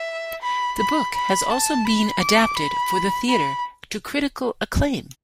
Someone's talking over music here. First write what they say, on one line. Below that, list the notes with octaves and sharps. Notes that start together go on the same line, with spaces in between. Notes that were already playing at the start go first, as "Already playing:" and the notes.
The book has also been adapted for the theatre, to critical acclaim.
Already playing: E5
B5
B5
B5
A5
B5
D6
B5
B5